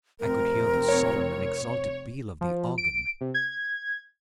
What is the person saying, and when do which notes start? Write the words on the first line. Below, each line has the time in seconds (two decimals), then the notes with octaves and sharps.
I could hear the solemn and exalted peal of the organ.
0.20 F1 C3 C4 A#4
0.88 C#5
2.41 F3
2.78 D7
3.21 C3
3.34 G#6